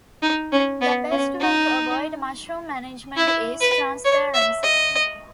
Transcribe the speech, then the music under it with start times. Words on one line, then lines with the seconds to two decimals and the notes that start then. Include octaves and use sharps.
The best way to avoid mushroom management is transparency.
0.22 D#4
0.52 C#4
0.81 B3
1.11 C#4
1.40 D#4
3.17 E4
3.61 B4
4.05 C#5
4.34 E5
4.63 D#5